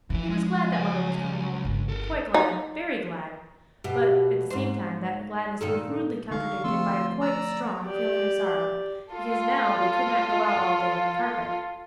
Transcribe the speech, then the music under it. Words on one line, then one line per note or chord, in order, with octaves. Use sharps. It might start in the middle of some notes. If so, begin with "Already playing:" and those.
He was glad that mother was coming home--quite glad, very glad; but at the same time that gladness was rudely contradicted by a quite strong feeling of sorrow, because now they could not go out all day on the carpet.
E3 F3 B4
G#3
C#2 G#5
G1
A4 A#4
D#4
B2 G4
G#2 C5
A#2 D#3 A4
D3 D#4 A4 F5 C#6
F3 A3 C4 F4 C6 E6
D5 A#5 E6
G4 D5
F4 A4